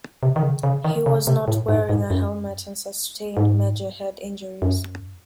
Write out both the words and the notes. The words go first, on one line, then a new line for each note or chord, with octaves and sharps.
He was not wearing a helmet and sustained major head injuries.
C3
D#3
C#3
C#3
D#3
C#3
C3
A2
G#2
G#2
F#2
G#2
F#2